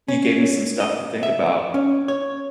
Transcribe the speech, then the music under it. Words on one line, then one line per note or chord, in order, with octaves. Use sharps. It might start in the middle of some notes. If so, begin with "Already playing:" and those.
You gave me some stuff to think about.
C#4
D#5
E5
C#4
C#5